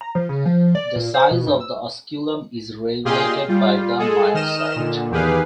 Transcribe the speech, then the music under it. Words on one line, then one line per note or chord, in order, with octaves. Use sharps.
The size of the osculum is regulated by the myocyte.
A#5
F3
C#3
F3
D5
A#2
C5
B2
G2
E6
A#2 G4 G#4 D#5 F5 C6
G3 F4
G#3 G#4 A4
D#3 D#5 F6 E7
A#2 D3
E2 D#3 G4 G#4 B4 F5